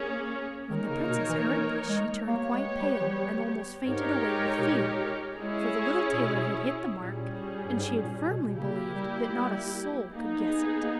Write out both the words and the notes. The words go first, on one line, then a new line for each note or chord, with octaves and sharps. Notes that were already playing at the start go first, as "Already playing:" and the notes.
When the Princess heard this she turned quite pale, and almost fainted away with fear, for the little tailor had hit the mark, and she had firmly believed that not a soul could guess it.
Already playing: A#3 C#4 G#4 C#5
D#3 A#3 D#4 A#4 C#5
C#3
B2
E3
E3
G#3
A#3 B3 G4 C#5
G#3
G3
E3
G3
G#2 G#3 D#4 G4 A#4 C#5
B2
A#2
G#3 C#4 E4 G#4 C#5
A#2
B2
A#2 G3 C#4 G#4
G2
G#2
A#2
B2
B2
C#3 A#3 E4 G4
G3
G3
A#3 B3 D#4 G#4
A#3